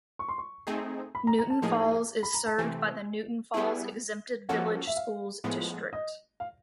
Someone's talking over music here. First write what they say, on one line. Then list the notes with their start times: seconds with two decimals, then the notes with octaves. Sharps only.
Newton Falls is served by the Newton Falls Exempted Village Schools district.
0.19 C#6
0.29 C6
0.38 C#6
0.67 A3 C4 D#4 G#4
1.15 B5
1.27 A#5
1.38 A#5
1.50 A5
1.62 A2 F3 A#3 D#4 G#4
2.23 B5
2.34 A#5
2.46 A5
2.58 C3 E3 A3 C4 G#5
3.54 G3 B3 E4 G#4
4.49 F3 A#3 C#4 F#4 A4 F#5
4.87 E5
4.96 F5
5.44 A2 F3 G#3 B3
5.93 D#5
6.40 F5